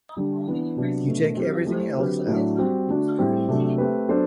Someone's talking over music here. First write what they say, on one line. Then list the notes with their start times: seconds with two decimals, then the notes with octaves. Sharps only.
You take everything else out.
0.16 D3 G3 D4 G4
0.47 E3 B3 D4
0.77 C3 F#3 B3 D4
1.07 B2 A3 D4
1.37 F#3 C4 G4
1.67 A3 E4 G4 C5
1.97 D3 F#3 C4 G4 B4
2.27 A2 F#3 A3 D4
2.57 G3 C4 F#4
2.87 D3 A3 D4 F#4
3.18 A2 G3 C4 G4
3.48 C3 F#3 A3 D4
3.78 A3 C4 G4 B4
4.08 F#3 B3 D4 A4 C5